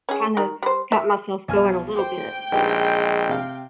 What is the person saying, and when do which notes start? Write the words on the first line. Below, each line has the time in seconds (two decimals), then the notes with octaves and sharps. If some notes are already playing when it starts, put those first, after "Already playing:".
kind of got myself going a little bit,
0.09 C#4 G#4
0.37 D#3
0.63 G3 C5
0.92 E5
1.48 B1 G#5 F6
1.96 C5 G5 D6
2.53 A#1 G#3 D#4 G4 B4
3.29 C3 F5